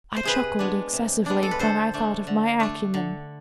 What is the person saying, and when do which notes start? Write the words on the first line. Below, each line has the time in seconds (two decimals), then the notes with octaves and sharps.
I chuckled excessively when I thought of my acumen.
0.16 C5
0.23 C3 G#4 B4
0.59 G#3 B3 D4
0.93 C3
1.26 G#3 B3 D4
1.43 A4
1.51 B4
1.59 D3 A4 C5
1.94 A3 D4
2.27 D3
2.60 A3 D4
2.94 D3